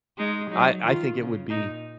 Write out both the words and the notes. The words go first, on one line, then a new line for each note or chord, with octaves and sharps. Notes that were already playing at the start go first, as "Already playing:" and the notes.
I I think it would be
G#3 D#4
F#3 D#4
D#3 F4
C#3
A#2 D#4